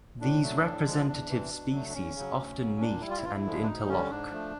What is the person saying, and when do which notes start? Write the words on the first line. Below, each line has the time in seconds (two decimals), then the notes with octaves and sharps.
These representative species often meet and interlock.
0.20 A2 D4
0.42 F#3 A3
0.63 A2
0.85 F3 G#3
1.06 E2 D4
1.29 C3 E3
1.50 B2
1.71 F#3 A3
1.89 D4
1.93 E2 C#4
2.15 C#3 F#3
2.36 D2
2.59 C#3 F#3
2.80 A#2 D4
3.01 G3 E4
3.10 F4
3.17 E4
3.23 G2 F4
3.33 E4
3.45 D3 F3 G#3
3.63 D4
3.66 D2 D#4
3.88 D3 G3 C#4
4.10 G#2 D4
4.31 F3 A3